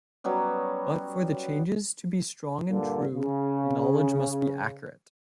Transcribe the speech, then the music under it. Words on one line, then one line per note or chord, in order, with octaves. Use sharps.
But for the changes to be strong and true, the knowledge must be accurate.
F#3 G3 B3 C#4
G2 A#2 D3
C#3